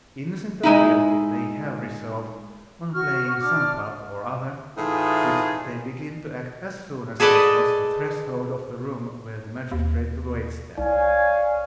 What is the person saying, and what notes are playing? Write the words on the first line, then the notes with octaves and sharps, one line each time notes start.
Innocent or guilty, they have resolved, on playing some part or other, which they begin to act as soon as they cross the threshold of the room where the magistrate awaits them.
G#3 D#4 E4
F#4 C#6 F6
D4 D6 F6
A2 E3 D#4 F4 G#4
G#4 A4 B4 D5 D#5
D#2
C2 C#5 D5 F5 G#5